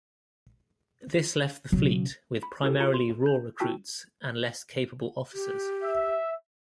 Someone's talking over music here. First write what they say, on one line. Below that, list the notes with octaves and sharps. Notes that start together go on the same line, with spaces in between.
This left the fleet with primarily raw recruits and less capable officers.
B1 C#3 F#3
B5
C#4 E4 G4 A4
F4 A#5 C#7
C6
G6
E4 F#4 G5 A5 E6 B6
G4
E5